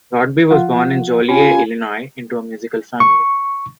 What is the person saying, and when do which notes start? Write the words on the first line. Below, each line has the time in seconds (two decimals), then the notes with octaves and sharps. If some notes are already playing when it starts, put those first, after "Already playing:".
Rodby was born in Joliet, Illinois, into a musical family.
0.51 F3 F4 F#5
1.29 C#4 F4 G4 G#5 B5
3.00 C#6